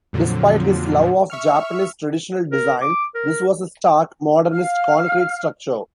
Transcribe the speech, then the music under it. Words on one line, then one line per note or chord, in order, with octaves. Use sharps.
Despite his love of Japanese traditional design, this was a stark, modernist concrete structure.
F2 A#2 D3 F3 F#3
E5 C#6 F6
A#4
D6
A#4
F5 F6